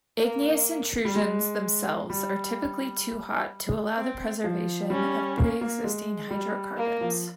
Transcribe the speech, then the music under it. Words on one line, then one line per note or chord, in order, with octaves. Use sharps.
Igneous intrusions themselves are typically too hot to allow the preservation of preexisting hydrocarbons.
A#3
G3
G#3
G3
C4
F3
G3 C#4
A#3
A#3
G#3
G3
A#3
F3